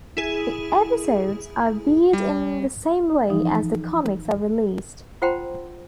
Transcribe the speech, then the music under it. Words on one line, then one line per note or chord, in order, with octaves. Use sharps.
The episodes are viewed in the same way as the comics are released.
E4 G#4
G3
E3 F3 D#4
F4 C5 F#5 G5 A#5 C6